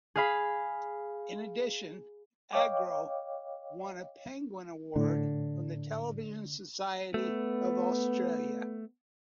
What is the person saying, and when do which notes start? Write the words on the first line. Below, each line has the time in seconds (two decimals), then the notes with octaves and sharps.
In addition, Agro won a Penguin Award from the Television Society of Australia.
0.15 G#4 F5 B5
2.53 C#5 D#5 F5 G5 D6
4.96 A2 D3
7.14 A3 B3